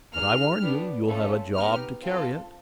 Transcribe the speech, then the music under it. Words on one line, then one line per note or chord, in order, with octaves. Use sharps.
"But I warn you, you'll have a job to carry it."
A#3 D#4 G#4 F6
B3 D4 G4
A3 C#4 F4 A4
B3 D#4 G4 F6
C4 F4 A4